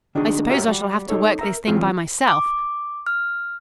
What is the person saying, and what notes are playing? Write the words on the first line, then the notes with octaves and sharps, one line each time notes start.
"I suppose I shall have to work this thing by myself."
D#3 D4 D#4 F#4 G#4
F#4 G4 A#4 C#5 E5
G3 F#4
D#4 A4 C#5
A#4 E5 A#5
E3 C4 C#4 F4 F#4
D6
F6